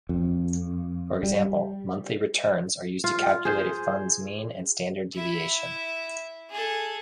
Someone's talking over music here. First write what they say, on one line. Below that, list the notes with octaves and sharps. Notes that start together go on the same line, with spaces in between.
For example, monthly returns are used to calculate a fund's mean and standard deviation.
F2
G3
F4
G#4 C5
E4 E5
G#4 A4